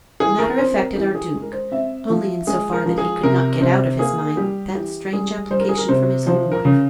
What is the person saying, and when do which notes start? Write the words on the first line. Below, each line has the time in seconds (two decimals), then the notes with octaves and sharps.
The matter affected our Duke,--only in so far that he could not get out of his mind that strange application from his own wife.
0.20 E3 G#4
0.39 A#4
0.58 C4 C5
0.77 A#4
0.96 E3 G4
1.15 G#4
1.34 G#3
1.42 A#4
1.53 C5
1.72 C4 E5
2.10 F3
2.47 G#3 G#4
2.73 A#4
2.86 F3
2.98 G#4
3.23 C3 A#4
3.61 C3 C5
3.99 A#3 G#4
4.37 G3 G4
4.75 E3 G4
5.13 G3 G#4
5.51 G3 C5
5.60 A#4
5.69 G#4
5.78 A#4
5.89 C3 C5
6.27 F3 C5
6.52 A#4
6.65 C#3